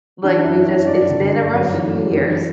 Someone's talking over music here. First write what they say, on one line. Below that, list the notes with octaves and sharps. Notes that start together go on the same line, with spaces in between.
like, we just it's been a rough few years,
E3 D4
F#2 E4
F#2 C#5
G2 D5
D3
G2
F#2
E3
F#2
E3